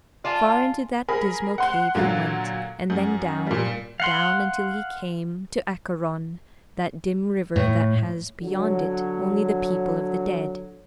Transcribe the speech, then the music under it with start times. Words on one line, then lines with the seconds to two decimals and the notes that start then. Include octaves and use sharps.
Far into that dismal cave he went, and then down, down, until he came to Acheron, that dim river that has beyond it only the people of the dead.
0.25 F4 D5 G#5 A5
1.08 G#4 A#4 B5
1.58 F#5 C6 F#6
1.95 A#2 D3 F#3 F4
2.90 F#2
3.47 A#2 G3
4.00 F5 F#5 C6
7.56 A2
8.42 D3 F#3